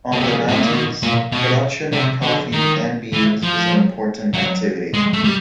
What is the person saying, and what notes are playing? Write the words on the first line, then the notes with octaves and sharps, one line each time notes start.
On the mountains, production of coffee and beans is an important activity.
C#3
C3
C#3
A2
A#2
B2
A#2
B2
C3
D3
D#3
E3
F3
F#3
G#3
A3
G3